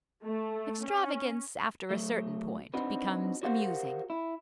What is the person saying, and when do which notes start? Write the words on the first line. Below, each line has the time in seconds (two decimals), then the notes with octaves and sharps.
Extravagance after a certain point becomes amusing.
0.24 A3
0.84 C#4
1.90 F#3 A3
2.74 C4 D4 D#4 F#4 B4
3.43 F#4 G4 A#4 C5 F5 F#5
4.10 E4